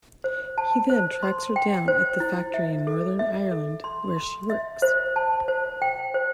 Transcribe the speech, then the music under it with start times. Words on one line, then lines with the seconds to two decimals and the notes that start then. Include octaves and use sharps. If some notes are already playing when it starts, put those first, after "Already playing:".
He then tracks her down at the factory in Northern Ireland where she works.
0.24 C5
0.58 A5
0.90 C5
1.23 C6
1.56 G5
1.88 C5
2.20 E4
2.54 E5
2.87 A4
3.19 E5
3.51 A4
3.84 C6
4.17 C6
4.50 E5
4.82 C5
5.16 A5
5.48 C5
5.82 G5
6.14 C5